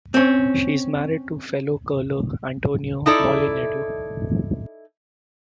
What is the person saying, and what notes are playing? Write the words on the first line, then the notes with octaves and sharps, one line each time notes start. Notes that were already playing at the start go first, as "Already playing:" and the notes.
She is married to fellow curler Antonio Mollinedo.
C4 C#4
D#4 E4 A4 D5